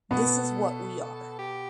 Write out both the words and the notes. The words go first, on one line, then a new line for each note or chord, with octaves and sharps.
This is what we are!
B2 B3 A4
G4